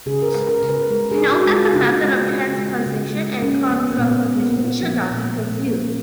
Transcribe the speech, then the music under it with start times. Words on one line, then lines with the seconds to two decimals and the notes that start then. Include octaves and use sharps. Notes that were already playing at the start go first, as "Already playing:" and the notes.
Note that the method of transposition and contraposition should not be confused.
0.06 C#3 G#4
0.22 A#4
0.28 B4
0.35 G#3
0.49 A#4
0.63 C#3
0.69 B4
0.91 G#3 A#4
1.11 G#4
1.19 C#3
1.32 F#4
1.46 G#3
1.54 F4
1.74 C#3
2.02 G#3
2.31 C#3
2.58 G#3
2.87 C#3
3.15 G#3
3.43 A#3 C#4
3.70 F3 B3
3.91 A#3
3.98 A#2 B3
4.26 A#2 B3
4.40 A#3
4.55 A#3
4.68 A#3
4.82 F3
5.11 A#2
5.38 A#2
5.66 A#3